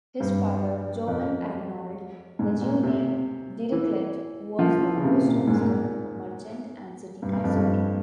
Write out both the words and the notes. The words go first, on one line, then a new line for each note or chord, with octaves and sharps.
His father Johann Arnold Lejeune Dirichlet was the postmaster, merchant, and city councilor.
G2
F2
G#2
A#2
C3
E3
F3
E3
C#3
C3
A#2
G#2
A#2
G#2
G2
G2
F2
G2